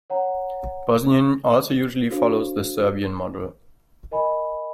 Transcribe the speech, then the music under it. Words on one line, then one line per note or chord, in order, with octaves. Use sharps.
Bosnian also usually follows the Serbian model.
C#5 F#5 A#5
D4 F#4 A4 C5 F5
A#4 D#5 G#5 B5